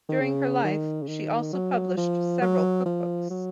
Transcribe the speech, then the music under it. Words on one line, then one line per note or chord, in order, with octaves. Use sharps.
During her life she also published several cookbooks.
D#3
C#3
D#3
C#3
D#3
F#3
F3
F#3
F3
F#3